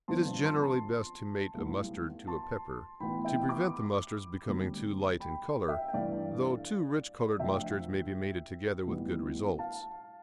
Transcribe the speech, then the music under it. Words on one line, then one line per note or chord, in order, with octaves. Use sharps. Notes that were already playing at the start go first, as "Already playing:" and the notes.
It is generally best to mate a mustard to a pepper, to prevent the mustards becoming too light in colour, though two rich-coloured mustards may be mated together with good results.
G1 G2 F3 C4 A5 C6
A5 C6
B1 A2 G3 B3
A5 C6
A1 A2 E3 B3 G5 B5
E5 G5
B5 D6
D2 C3 G3
G5 B5
E5 G5
G5
G2 E3 A3 D5 F5
D2 D3 F3 E5 G5
A1 A2 E3 G3 B3
F5 A5